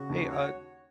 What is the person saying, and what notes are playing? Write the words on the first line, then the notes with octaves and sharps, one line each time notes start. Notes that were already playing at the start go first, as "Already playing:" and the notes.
Hey, uh,
Already playing: C#3 F#4
D#2
C#5